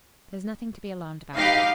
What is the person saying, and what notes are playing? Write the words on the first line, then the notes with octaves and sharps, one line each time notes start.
There's nothing to be alarmed about.
D#4 G4 B4 F5